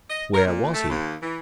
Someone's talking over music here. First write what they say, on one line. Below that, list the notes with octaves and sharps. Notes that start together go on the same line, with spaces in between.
Where was he?
D#5
A#4
A#2
A3
D#2
E3